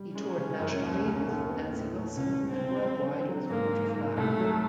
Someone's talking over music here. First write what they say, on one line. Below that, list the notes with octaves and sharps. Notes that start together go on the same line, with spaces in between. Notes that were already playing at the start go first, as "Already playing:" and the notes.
He toured nationally with Nancy Wilson and worldwide with Roberta Flack.
Already playing: G3
G#3 C#4
C#3
F#2
D#2
C#3
D#2
B3
A2
A2
C#2 C#4
G3
C4
C3
F#3
D3
F#3
G#2 A#3
G#2
G#2
C2 A3
F#3